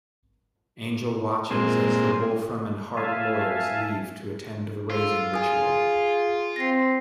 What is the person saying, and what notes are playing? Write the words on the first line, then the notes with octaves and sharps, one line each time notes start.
Angel watches as the Wolfram and Hart lawyers leave to attend the Raising ritual.
A#2 G#3 C4
E5 F5 G#5 A5
F4 A4
G#4 G#5 D#6
C4 A#6 C7